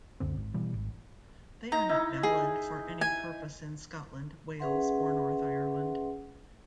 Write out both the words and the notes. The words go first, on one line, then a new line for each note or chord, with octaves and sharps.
They are not valid for any purpose in Scotland, Wales or Northern Ireland.
C#2 F#2 D3 C4
G#1
B2 E3 G3
G#1
D#4 A#5
D#4 E4
G#4
G#5
C#4 G#4 B4 E5 F#5 C6